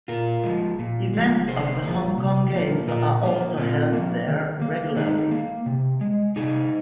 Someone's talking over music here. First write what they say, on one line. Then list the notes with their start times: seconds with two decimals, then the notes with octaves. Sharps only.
Events of the Hong Kong Games are also held there regularly.
0.08 A#2 F4 A#4
0.44 F3 G#3
0.79 A#2
1.13 F3 G#3
1.48 C3 G#4 C5
1.84 F3 A#3
2.18 C3
2.52 F3 A#3
2.88 A#2 F4 A#4
3.23 F3 A#3
3.57 A#2 C4 F4
3.93 F3 A#3
4.28 D#3
4.61 A#3
4.96 D#3 D#4 G#4
5.31 A#3
5.66 C3
6.01 G#3
6.36 C3 D#4 G#4